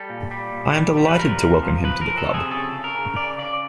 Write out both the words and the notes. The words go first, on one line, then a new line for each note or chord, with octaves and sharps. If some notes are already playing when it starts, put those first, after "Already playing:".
I am delighted to welcome him to the club.
Already playing: G3 A4
A#2
G3
A#2
G3
G3
B4
F3 A#4
C3
F3
F3 B4
A#4
F3
A4
C3
G#4
C#3 A4
C#3
A#4
C#3
C#3 D5
C#3 D5